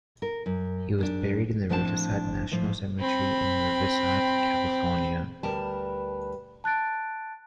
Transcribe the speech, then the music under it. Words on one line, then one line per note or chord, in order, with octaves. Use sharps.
He was buried in the Riverside National Cemetery in Riverside, California.
A#4
F#2
F#2 D4
A2 F3 C4 D4 F#5 A5
A2 F3
C4 B5
D2 G3 A#4 B4 A5
A5 F#6 A6 D7